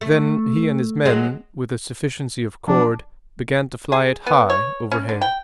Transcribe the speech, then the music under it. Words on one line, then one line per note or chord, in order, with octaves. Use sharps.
Then he and his men, with a sufficiency of cord, began to fly it high overhead.
A3
F#3 G#3
F3 D4
G#4
B3
C#5
C#4
D3
G5